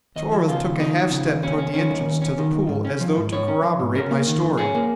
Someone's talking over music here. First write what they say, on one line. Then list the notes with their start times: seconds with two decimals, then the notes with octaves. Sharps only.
Torith took a half step toward the entrance to the pool as though to corroborate my story.
0.16 D#2 D#5
0.32 F3
0.48 C#3 F4
0.63 D#2
0.79 D#2 D#4
0.96 F3
1.11 C#3
1.28 D#2
1.42 D#2 C#4
1.58 C#4
1.74 D#3 C#4
1.91 D#2
2.05 D#2
2.22 C#4
2.38 D#3
2.53 D#2
2.69 G#2
2.85 C#4
3.01 F3
3.17 G#2
3.32 G#2 C#5
3.48 C#4
3.63 F3
3.80 G#2
3.95 C#4 A#4
4.11 A#3
4.27 D#3
4.43 F2
4.58 C#4 G#4
4.75 A#3